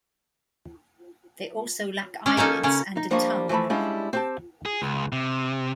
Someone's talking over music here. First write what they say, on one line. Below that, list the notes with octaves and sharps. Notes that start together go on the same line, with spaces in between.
They also lack eyelids and a tongue.
C#4 D4
A#3 C#4 D#4 A4
C#3 C#4
D#4
F3 G3 A#3 D4 F4 C#5
E3 F3 A3 A5 B5
G3 G#3 C#4 D4 E4 F4
C4 G4 A5
G#4
C#2
C3